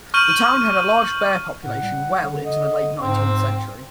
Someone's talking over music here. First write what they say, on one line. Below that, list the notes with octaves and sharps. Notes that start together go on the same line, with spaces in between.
The town had a large bear population well into the late nineteenth century.
C#6 F6 G6 D#7 F#7
A2 F#5
G3
D3
D#5
G#2 C4